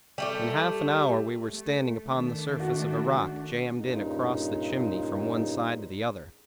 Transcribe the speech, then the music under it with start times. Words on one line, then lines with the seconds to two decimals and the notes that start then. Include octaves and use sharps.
In half an hour we were standing upon the surface of a rock jammed in across the chimney from one side to the other.
0.18 G3 A3 G4
1.49 A3
2.06 D#3 A3 D4
2.60 F#4
3.79 G2 A#2 C#3 D#4